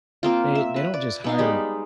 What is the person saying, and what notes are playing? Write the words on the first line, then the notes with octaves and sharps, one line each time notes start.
they they don't just hire
A#3 C4 F4
E5
B4
D5
B3 D#4 F5
G3 G#3 B5